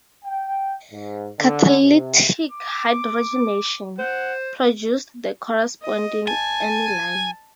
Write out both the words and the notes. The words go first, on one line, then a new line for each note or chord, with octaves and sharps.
Catalytic hydrogenation produced the corresponding aniline.
G5
G#2
D3
C3
D6
C5 F#5
D#5
G#5 A5